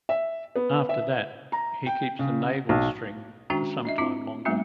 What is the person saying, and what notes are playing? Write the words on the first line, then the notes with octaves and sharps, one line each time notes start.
After that, he keeps the navel-string for some time longer.
E5
B3
E5
A#5
G5
C#3
B1
D#3 G#3 C#4 D4 F#4 G5
D4 D#5 E5
C4 D4 E4 F4
F#3 G#3 A#3 B3 D4 F4